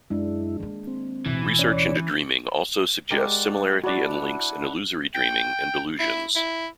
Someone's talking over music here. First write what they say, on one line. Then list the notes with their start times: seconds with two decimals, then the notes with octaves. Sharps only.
Research into dreaming also suggests similarity and links in illusory dreaming and delusions.
0.10 F#2 G#3 D4 E4
0.60 D#3 A#3
0.87 C4
1.26 D1 B2 E3
1.59 C#4 C#5 D5
3.11 G#3 G4 A#4 D5 F#5
3.84 D4 E4 F#4 D5 F#5
5.15 G5
6.00 E4
6.36 E4